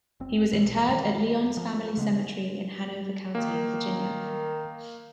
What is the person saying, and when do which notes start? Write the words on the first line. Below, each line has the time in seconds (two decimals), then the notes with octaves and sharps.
He was interred at Lyons Family Cemetery in Hanover County, Virginia.
0.20 F#1 C4
0.52 A#1 B2 E3
0.88 F2 D#3 G3
1.57 F3
1.97 C#3 G#3 B3
3.35 D#3 A#3